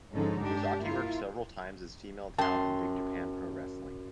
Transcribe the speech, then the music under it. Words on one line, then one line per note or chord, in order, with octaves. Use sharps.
Ozaki worked several times as female talent in Big Japan Pro Wrestling.
G#2 D3 F3 C#4 D#4 A4
G2 G#3 D4 G4
A#3 E4 F4
F#2 G5 A5 C6